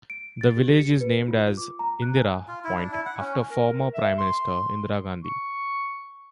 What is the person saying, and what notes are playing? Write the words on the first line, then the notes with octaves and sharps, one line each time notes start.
The village is named as Indira Point after former Prime Minister Indira Gandhi.
D7
A6
G4
C#7
B4
F4
D6
A#5
F#6
G#5
F4
E4
D4
E4
F#5
C#4
A#4
E5
C6
C#6